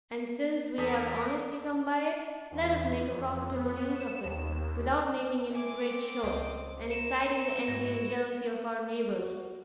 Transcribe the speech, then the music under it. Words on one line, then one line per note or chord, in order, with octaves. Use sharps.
And since we have honestly come by it, let us make a profitable use of it, without making any great show, and exciting the envy and jealousy of our neighbors.
E2 A4 A#4 D#6 B6
E2
F2
B3
E7
D#2
C4 E4 G#5 D6
C#2 C5 D#5
E4 A#4 C#7 E7
G#2 E4 F#4 A#6
F#4